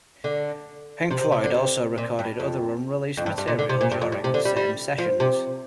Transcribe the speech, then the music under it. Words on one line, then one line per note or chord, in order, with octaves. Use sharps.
Pink Floyd also recorded other unreleased material during the same sessions.
D3
C3
C3
C3
D3
C3
A#2
G2
F2
F2
G2
G2
A#2
D3
C3
A#2
G2
F2
G2
C3
D3
G3
G3
F3
C3